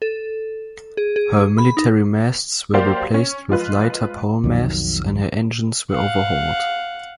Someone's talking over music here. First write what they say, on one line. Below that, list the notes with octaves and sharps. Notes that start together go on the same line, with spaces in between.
Her military masts were replaced with lighter pole masts and her engines were overhauled.
A4
G#4
G#4
B5
D#4
F#3 A#3 G4 C5 D5 F5
C#4
F3 G#3 F4 B4
B1 F2 D#3 F#3
F5 F#5